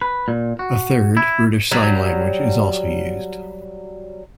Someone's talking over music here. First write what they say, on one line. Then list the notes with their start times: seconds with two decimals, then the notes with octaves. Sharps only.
A third, British Sign Language is also used.
0.01 B4
0.28 A#2
0.59 F#4
1.17 E4
1.71 F#3 G3